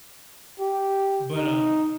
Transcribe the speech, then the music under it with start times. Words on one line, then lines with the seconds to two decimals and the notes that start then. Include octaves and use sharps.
but, um,
0.60 G4
1.35 D#4